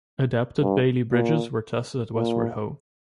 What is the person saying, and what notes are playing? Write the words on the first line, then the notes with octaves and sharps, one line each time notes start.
Adapted Bailey Bridges were tested at Westward Ho!
G2
A#2
A#2